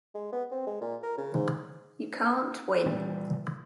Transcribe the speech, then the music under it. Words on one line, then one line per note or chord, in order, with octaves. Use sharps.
You can't win.
G#3
B3
C4
G#3
A#2
A#4
C#3
G#2
A#2 E3 G3